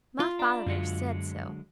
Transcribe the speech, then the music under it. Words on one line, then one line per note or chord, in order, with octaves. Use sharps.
My father said so.
F4
D4 A#5 B5
F#2 D3 F#3 G#3 C#7